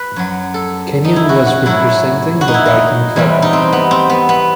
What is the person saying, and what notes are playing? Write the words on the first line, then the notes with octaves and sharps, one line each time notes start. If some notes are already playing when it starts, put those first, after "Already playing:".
Kennion was representing the Brighton club.
Already playing: B4
F#2 F#3
A4
D#4
E4
F#4
F#4
A2 F#3 E4
F#4
D#4
E4
D#4
E2 C3 E3 G3
D#4
C4
B3
C4
B3
B3